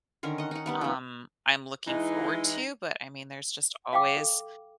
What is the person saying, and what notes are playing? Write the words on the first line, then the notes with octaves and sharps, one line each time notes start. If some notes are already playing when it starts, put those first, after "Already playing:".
um, I'm looking forward to, but, I mean, there's just always
D3 D#3 C#4 A#4
D#5 F#5
D#4 F#5
G3 B3 F#5
F3 B3
E3 G#3 D#4 E4
F5 G5 D6
A4